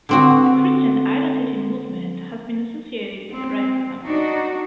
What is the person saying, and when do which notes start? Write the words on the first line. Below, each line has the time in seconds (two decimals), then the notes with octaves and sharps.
The Christian Identity movement has been associated with racism.
0.09 D3 C4 F#4
3.32 C4
4.04 D4 D#4 F#4